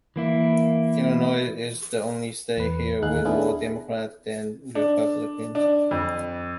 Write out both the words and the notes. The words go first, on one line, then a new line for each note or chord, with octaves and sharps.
Illinois is the only state here with more Democrats than Republicans.
E3 A#3 E4
E2 B4
D#2 D#4 G#4 F5 F#6
B3 D4 E4 G#4 A4 B4
D4
D4
F2